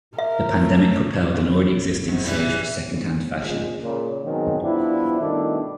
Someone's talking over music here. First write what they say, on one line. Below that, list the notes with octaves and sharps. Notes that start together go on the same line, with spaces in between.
The pandemic propelled an already existing surge for secondhand fashion.
A#4 E5
A3
G#2
E3 G3 E4
A#1 G#3
A#2 C#3
G#2 B2 D#3 F#3 G#3 C4
F3 G3 B3 D4 E4
G2 B2 D#3 A3 D4 E4